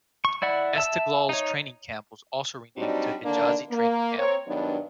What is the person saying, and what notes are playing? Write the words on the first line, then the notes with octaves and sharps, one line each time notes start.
Esteghlal's training camp was also renamed to "Hejazi Training Camp".
C#6
E4 D5 F#5 B5
E5 A5 E6
D#4 C#5
F#3 G3 C4 D4 D#4 F#4
D3 D#3 A#3 D4
A#3
C4 A#4 C#5
G2 D#3 F#3 B3 D4 D#4